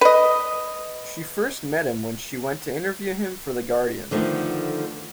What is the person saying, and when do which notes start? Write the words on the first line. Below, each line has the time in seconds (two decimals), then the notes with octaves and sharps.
She first met him when she went to interview him for "The Guardian".
0.01 B4 D#5
4.11 D3 D#3 F3 A3 B3